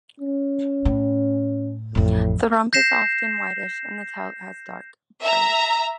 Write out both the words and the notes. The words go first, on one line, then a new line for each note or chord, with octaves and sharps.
The rump is often whitish and the tail has dark bars.
C#4
A2
A1 F2 A2
G6 A#6 C7 E7
E5 A#5